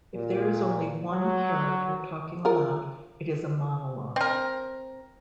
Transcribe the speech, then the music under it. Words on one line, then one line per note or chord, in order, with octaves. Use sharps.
If there is only "one" character talking aloud, it is a monologue.
A#2
F#3
F4 A#4
C4 A#4